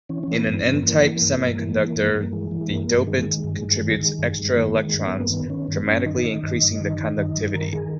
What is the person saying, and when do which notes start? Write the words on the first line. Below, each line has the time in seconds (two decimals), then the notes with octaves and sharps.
In an n-type semiconductor, the dopant contributes extra electrons, dramatically increasing the conductivity.
0.09 E3 C#4
0.23 E3 C#4
0.35 B3
0.47 G2
0.65 G2 C#4
0.74 B3
0.83 E3 A#3
1.02 E3
1.21 G2
1.39 G2
1.59 E3
1.77 E3
1.96 G2
2.15 G2
2.23 A#3
2.33 E3 G#3
2.51 E3
2.61 G#3
2.70 G2 A#3
2.89 G2
3.07 D#3 G#3
3.26 D#3
3.44 G2
3.63 G2
3.81 D#3
4.01 D#3
4.19 G2
4.38 G2
4.56 D#3 A#3
4.74 D#3
4.82 G#3
4.94 G2
5.00 C#4
5.07 B3
5.12 G2
5.20 A#3
5.30 D#3 B3
5.49 D#3 C#4
5.68 G2
5.76 B3
5.86 G2 C#4
6.05 D#3 D#4
6.24 D#3
6.43 G2
6.62 G2
6.80 D#3
6.99 D#3
7.17 G2
7.36 G2
7.54 D#3 A#4
7.72 D#3 G#4